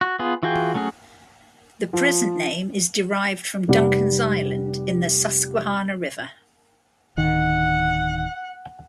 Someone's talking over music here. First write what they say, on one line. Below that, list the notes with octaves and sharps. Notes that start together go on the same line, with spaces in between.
The present name is derived from Duncan's Island in the Susquehanna River.
F#4
B3 F4 G#4
E3 F4 F#4 G#4 G5
F#3 A3 C#4 F#4 G#4
F3
F1 G3 F#5
D1 D#3 F#5